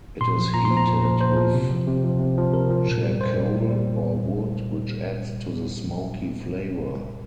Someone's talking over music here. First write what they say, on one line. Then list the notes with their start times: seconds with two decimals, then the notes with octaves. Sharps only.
It is heated with charcoal or wood which adds to the smoky flavour.
0.21 A#2 C6
0.37 F3
0.54 A#2 A#5
0.65 C6
0.70 F3
0.77 A#5
0.87 A#2
1.04 F3
1.20 A#2 C5
1.37 F3
1.54 C3
1.71 F3
1.87 C3
2.04 F3
2.20 C3
2.37 F3
2.53 C3 A#4
2.70 F3
2.87 A#2
3.03 G3
3.21 A#2 C5
3.37 G3
3.53 A#2
3.70 G3